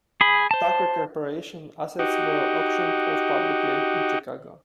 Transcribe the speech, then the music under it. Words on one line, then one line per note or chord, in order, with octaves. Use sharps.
Tucker Corporation assets were auctioned off publicly in Chicago.
G#4 B5
C5 A5
D#4 F#4 G4